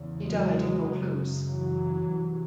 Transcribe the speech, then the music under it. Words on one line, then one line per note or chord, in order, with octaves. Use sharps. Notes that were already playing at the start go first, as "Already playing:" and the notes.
He died in Vaucluse.
Already playing: E2 C#3
F#3 G#3
F#2 C#3
E3 F#3
C2 C3